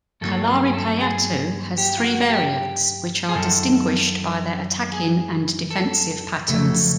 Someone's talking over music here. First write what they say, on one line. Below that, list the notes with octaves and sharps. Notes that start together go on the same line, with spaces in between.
Kalaripayattu has three variants, which are distinguished by their attacking and defensive patterns.
G2 D#3 F#3 A#3 A4
A#4
G#4
A4
G#4
G4
F4
F#4
G4
G#4
F#2 D#3 A4
G#4
A4
F2 C#3 F#3 A3 A4